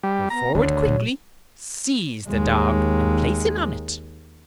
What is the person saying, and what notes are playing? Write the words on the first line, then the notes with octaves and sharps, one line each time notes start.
Go forward quickly, seize the dog and place him on it.
G3
B3 A#5
D2 D#3 A3 C#5
A#2 F#3
D#2 G#3